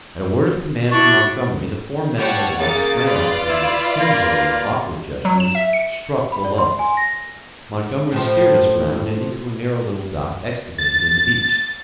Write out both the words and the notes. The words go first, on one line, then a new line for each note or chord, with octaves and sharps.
At a word of command from Montgomery, the four men in the launch sprang up, and with singularly awkward gestures struck the lugs. Montgomery steered us round and into a narrow little dock excavated in the beach.
D4 E4 F#4 C#6
G3 C#5 F#5 A5
C#3 A#3 A6
F4 B4 D5
E4
A#3
F#3
E7
E5
C#7
B5
D5
C6
G#5
A#6
A2 F3
A6